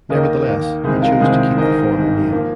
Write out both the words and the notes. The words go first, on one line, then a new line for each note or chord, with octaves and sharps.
Nevertheless, he chose to keep the former name.
D#2 D#3 A#3 A#4 D#5
D#2 D#3 A#3
C2 C3 D#3 G#3 G#4 C5
F4 A#4
C2 C3 D#3 G#3 G#4 C5
G#1 G#2 D#3 A#4 D#5
G#1 G#2 D#3
F3 A#3